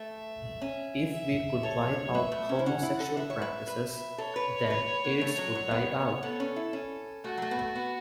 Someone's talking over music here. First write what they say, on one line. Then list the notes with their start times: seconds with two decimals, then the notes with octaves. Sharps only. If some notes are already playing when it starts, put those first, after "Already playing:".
If we could wipe out homosexual practices, then Aids would die out.
Already playing: A3 E5
0.61 C#4
1.13 E5
1.63 A4 C#5
2.15 B4 E5
2.32 A3
2.49 C#4
2.59 E4
2.66 C#4 F#5
2.83 E4
3.00 A4
3.17 B4 E5
3.30 C#5
3.42 B4
3.67 B4
4.18 A4 C#5
4.36 B4
4.70 B4
5.04 B3
5.21 A3
5.38 F#3
5.55 F#3
5.71 B3
6.23 B3 A4
6.40 C#4
6.56 E4
6.73 C#4
7.24 A3 F#4
7.38 F#3
7.42 A3
7.51 B3
7.59 A3
7.75 B3